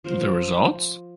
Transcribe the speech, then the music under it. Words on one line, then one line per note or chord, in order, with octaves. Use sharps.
The results?
F3 A#4 C5